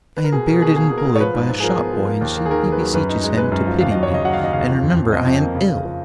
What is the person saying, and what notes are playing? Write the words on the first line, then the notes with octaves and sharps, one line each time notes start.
I am bearded and bullied by a shop-boy, and she beseeches him to pity me and remember I am ill!'
B4
A#4
B2 G#4
B2 A#4
B2 G#4
A#3 G#4
B2 G#4
A#4
B2
C#5
F3 B4
G#2
G#2
G#4
F3 A#4
B3
F3
A#3
D#2
A#3
G#4
D#3 A#4
D#2
B4
F#3
F#2 B4
D#4
G#3
G#3 B4
F#2
F3
D#2 F5
F#3 D#5
C#5
C#3 D#5
F#3 F#5
F5
D#2
D#5
C#3 F5
F3
F2
F2
F2 D#5
F2
A#3
C#3
C#3
F3